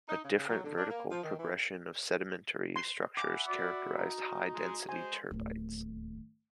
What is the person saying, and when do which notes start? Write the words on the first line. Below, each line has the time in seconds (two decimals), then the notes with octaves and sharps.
A different vertical progression of sedimentary structures characterize high-density turbidites.
0.07 D#4
0.23 C#3
0.35 C#3
0.48 F#3
0.64 D3
0.76 D4
0.89 A#3
1.10 F3
1.23 D#3
1.38 E3
2.76 C6
3.17 E5 F#5 G#5 B5 D6
3.48 F#4 D5
3.98 D#4
4.53 G#3
4.89 G#3 C5 G#5
5.31 D1 D#2